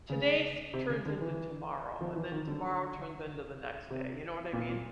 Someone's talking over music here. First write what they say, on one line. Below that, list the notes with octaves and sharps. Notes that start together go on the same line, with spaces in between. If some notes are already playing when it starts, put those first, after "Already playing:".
today's turns into tomorrow, and then tomorrow turns into the next day, you know what I mean?
C#3
C3
C#3
D3
E3
F3
E3
D#3
D3
C3
A#2
A#2